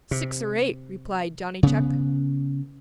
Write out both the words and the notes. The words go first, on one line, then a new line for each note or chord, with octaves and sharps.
"Six or eight," replied Johnny Chuck.
C3
C#3 B3